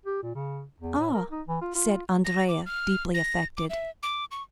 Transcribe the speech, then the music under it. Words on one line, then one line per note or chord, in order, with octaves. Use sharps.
"Ah," said Andrea, deeply affected.
G4
A#2
C#3
E2
A2
A#4
D#4
E3
F4
F4
A#6
D6
F6
A#6
D6
E5
D6
C#6